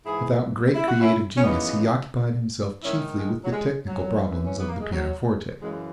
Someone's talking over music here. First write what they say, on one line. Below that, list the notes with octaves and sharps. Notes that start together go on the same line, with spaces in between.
Without great creative genius, he occupied himself chiefly with the technical problems of the pianoforte.
G#2 E3 E4 G#4
E4
F#4
C#4 E4
C#4
F#2 C#3 E3 B3 D#4
G#2 D#3 C#4 E4
G#3
F#3
G#3
F#3
F#2 E3
C#4
B3
A#3
G#3
F#3
F#2 C#3 E3 G#3